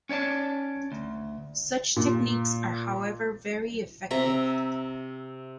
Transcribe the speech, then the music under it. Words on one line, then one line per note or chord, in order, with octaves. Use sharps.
Such techniques are however very effective.
C#4 C#5 D5 A5
D2
A#2
C3 E5 A#5